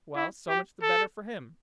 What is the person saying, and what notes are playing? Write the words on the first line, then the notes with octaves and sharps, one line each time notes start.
"Well, so much the better for him."
E4
G4
A4